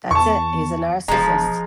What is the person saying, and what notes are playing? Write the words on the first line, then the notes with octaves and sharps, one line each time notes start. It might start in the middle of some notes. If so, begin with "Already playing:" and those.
That's it, he's a narcissist.
E2 A5 C#6
E1 F3 G#3 A#5